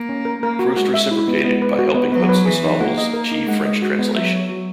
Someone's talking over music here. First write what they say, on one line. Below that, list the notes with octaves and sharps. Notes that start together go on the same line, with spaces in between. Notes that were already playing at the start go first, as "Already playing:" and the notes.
Proust reciprocated by helping Hudson's novels achieve French translation.
Already playing: A#3
C#4
A#4
A#3 A#4
F#4
G#3 F#4
E5
E4
B3
B3
B4
F#4
B3
F#3 B3
B4
E3 G#4
D#4
A#3 F#5
D#5
A#4
D#4
G#3 F#5
D#5
F#4
B3
F#3 E5
C#5
F#4